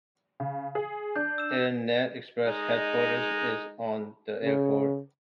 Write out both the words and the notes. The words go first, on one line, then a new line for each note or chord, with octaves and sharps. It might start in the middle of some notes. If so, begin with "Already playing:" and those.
AirNet Express headquarters is on the airport.
C#3
G#4
D4 G6
E6 E7
G#3 D#4
C#3